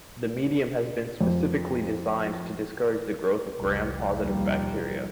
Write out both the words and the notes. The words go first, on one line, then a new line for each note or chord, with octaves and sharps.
This medium has been specifically designed to discourage the growth of gram positive bacteria.
F2
F1 C2 F3 G3
D#2 B2 F3 G3 A#3